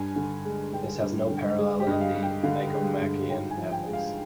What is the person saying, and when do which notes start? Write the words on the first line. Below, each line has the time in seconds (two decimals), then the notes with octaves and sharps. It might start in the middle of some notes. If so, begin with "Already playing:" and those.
This has no parallel in the "Nicomachean Ethics".
Already playing: G2 G#5
0.16 D3
0.45 G#3
0.73 G2 G5
1.01 G2
1.30 D3
1.59 G#3 G#4
1.80 G4
1.87 G2 D#5
2.01 F5
2.15 G2
2.22 G5
2.43 D3 F5
2.73 G#3
3.01 G2
3.29 G#2 G5
3.51 G#5
3.57 F3
3.72 G5
3.86 G#3
3.93 F5